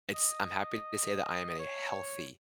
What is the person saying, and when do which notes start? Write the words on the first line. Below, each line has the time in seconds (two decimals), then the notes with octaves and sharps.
It's I'm happy to say that I am in a healthy
0.14 D#5
1.49 D#5
1.59 C#5